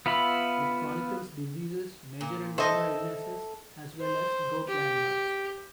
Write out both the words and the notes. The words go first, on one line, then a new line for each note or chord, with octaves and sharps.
It chronicles diseases, major and minor illnesses, as well as growth landmarks.
B3 F4 E5 B5
A#2
A4 C5 D#5 E5
C5
G4